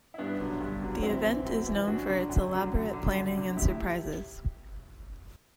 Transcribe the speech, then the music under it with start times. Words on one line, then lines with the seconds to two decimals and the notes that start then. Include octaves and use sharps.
The event is known for its elaborate planning and surprises.
0.14 E4
0.18 G2 B3 D4
0.40 D3 F#3
0.60 G2
0.82 D3 F#3
1.02 F#2 C4 E4
1.23 E3
1.45 F#2
1.66 E3
1.87 F#2 D4 F#4
2.09 D3 F#3
2.30 F#2
2.51 D3 F#3
2.73 F#2
2.93 D3 F#3
3.14 F#2
3.36 D3 F#3
3.57 A2 E4 G4